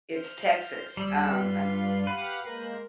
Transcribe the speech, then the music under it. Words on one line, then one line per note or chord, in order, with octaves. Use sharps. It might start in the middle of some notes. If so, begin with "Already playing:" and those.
It's Texas, um, I th
C5 F6
D#2 G3 E6
G2 F4 B4 C6
G4 B4 F5 F#5
G#3 A#3 A#4 C5